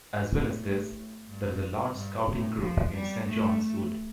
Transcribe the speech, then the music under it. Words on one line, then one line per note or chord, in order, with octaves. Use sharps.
As well as this, there is a large Scouting group in Saint Johns Wood.
A2
G2
G2
A2
F3
G3
A3